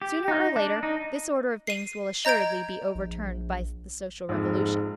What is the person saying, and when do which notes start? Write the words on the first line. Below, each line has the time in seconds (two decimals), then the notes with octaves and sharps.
Sooner or later, this order of things will assuredly be overturned by the social revolution.
0.02 G4
0.28 D#4
0.56 D4
0.83 D#4
1.67 C7 D#7
2.25 D#5 A#5 G6 G#6 D7
2.95 A#1
4.29 A#1 F2 G#2